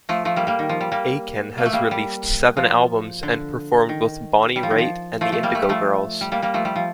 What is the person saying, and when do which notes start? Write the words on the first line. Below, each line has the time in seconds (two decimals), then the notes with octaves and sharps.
Aiken has released seven albums and performed with Bonnie Raitt and the Indigo Girls.
0.09 F3 A3
0.25 F3 A3
0.36 G3 A#3
0.47 G3 A#3
0.59 D#3
0.69 F3
0.81 G3
0.92 G3 A#3
1.58 A#3
1.66 A3
1.73 G3 A#3
1.91 G3
2.57 F3
3.23 D3
3.89 D#3
4.56 G3
4.63 F3
4.70 D#3
4.78 F3
5.21 F3 A3
5.32 F3 A3
5.43 G3 A#3
5.55 A3
5.62 G3
5.69 F3 A3
6.21 G3
6.32 G3 A#3
6.42 G3 A#3
6.54 F3 A3
6.65 G3
6.76 F3